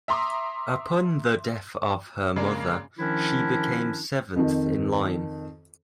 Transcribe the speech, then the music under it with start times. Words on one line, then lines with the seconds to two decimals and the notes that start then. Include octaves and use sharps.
Upon the death of her mother she became seventh in line.
0.08 E5 A#5 C6 D6 D#6
2.36 C#3 G#3 A#3 D4
2.98 D#3 F3 C#4 D4 E4
4.36 F2 D#3